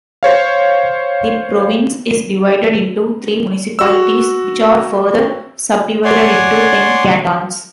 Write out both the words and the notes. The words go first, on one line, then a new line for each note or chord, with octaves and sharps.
The province is divided into three municipalities which are further subdivided into ten cantons.
C5 C#5 F5
F#4 E6
C#5 D5 F#5 G#5 C6